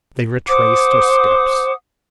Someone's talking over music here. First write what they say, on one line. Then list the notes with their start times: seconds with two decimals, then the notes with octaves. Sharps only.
They retraced their steps.
0.48 C5 F#5 D6 D#6